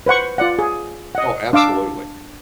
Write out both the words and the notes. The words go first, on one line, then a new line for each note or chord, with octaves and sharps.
Oh, absolutely.
B4 C5 F#5 C#6
F4 D5 F#5
G#4
D#5 F#5
D4 F5 D6 E6